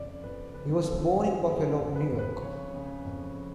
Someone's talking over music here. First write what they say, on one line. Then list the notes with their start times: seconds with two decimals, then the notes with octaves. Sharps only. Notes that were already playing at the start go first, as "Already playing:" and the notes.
He was born in Buffalo, New York.
Already playing: F2 C#3 D5
0.23 F2 B4
0.54 C#3 B4
0.86 C#3 A4
1.16 F2 G#4
1.48 C#3 G#4
1.72 A4
1.79 F2
1.95 B4
2.11 F2
2.19 B4
2.42 C#3 C#5
2.74 C#3
3.05 F2